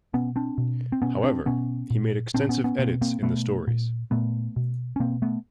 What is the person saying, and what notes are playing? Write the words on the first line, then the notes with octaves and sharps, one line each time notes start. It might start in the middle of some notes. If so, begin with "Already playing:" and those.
However, he made extensive edits in the stories.
B2 B3 C#4
C4 D4
B2
C4
B2 B3 C#4
C4 D4
B2 B3 C#4
A#2
A#2 C4 D4
B3 C#4
B3 C#4
B2 A#3 C4
A#3 C4
B2 A3 B3
A#2
A#2 A3 B3
B2
C#4
B2 A#3 C4
A3 B3